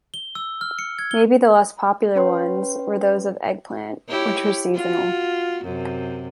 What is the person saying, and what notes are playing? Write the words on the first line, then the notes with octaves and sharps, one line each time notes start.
Maybe the less popular ones were those of eggplant, which were seasonal.
G7
E6
F6
C#7
G#6
G7
C#4 B4 C#5 G5 C6
E4 G4 C#5
F4 F#4
F#2 C3